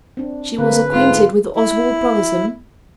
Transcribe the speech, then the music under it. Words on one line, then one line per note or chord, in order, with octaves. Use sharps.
"She was acquainted with Oswald Brotherson?"
C4 D4
D3 A#3 C4 G#4 B4
G#2 F4
E4